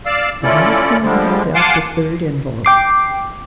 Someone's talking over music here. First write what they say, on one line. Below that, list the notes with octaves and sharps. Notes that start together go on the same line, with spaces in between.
The Little Colonel held out the third envelope.
D5 F5 E6
A3 C#4 E4 F4 A4 D5
D3 F3 G3 G#3
F5 F#5 G#5 A5 C6 D6
G5 D6 C7